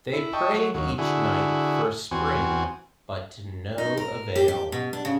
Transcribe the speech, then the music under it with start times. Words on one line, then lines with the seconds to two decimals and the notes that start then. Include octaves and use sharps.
They prayed each night for a spring, but to no avail.
0.13 E4
0.33 D#5 E5 G5 A5 C#6
0.54 F#3
0.74 D#2 F#3
0.98 D3 E4 F#4 G#4
2.11 E2 C4 F#4 G#5
3.78 D#4
3.97 A#4
4.36 G4
4.48 G4
4.72 B2
4.93 D4
5.05 C#3